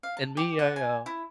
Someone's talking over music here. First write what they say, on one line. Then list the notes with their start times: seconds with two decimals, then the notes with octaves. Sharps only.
and me, I uh,
0.03 F5
0.17 A5
0.37 G4
0.59 F#5
0.76 G#5
1.06 E4